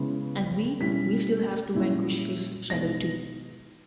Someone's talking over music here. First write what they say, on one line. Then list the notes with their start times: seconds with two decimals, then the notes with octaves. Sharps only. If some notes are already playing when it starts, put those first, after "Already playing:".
And we - we still have to vanquish his shadow, too.
Already playing: C#3 G#3 B3 E4
0.80 B2 G3 C#4 E4 B6
1.75 A#2 G3 C#4 E4
2.70 B2 G#3 D#4 A#6